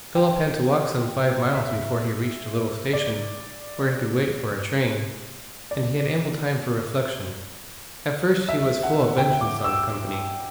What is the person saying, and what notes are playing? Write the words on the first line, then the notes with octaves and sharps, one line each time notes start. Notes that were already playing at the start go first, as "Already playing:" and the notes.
Philip had to walk some five miles before he reached a little station, where he could wait for a train, and he had ample time for reflection. At first he was full of vengeance on the company.
G5
E5
D5
D5
E5
F#5
G5
D6
E6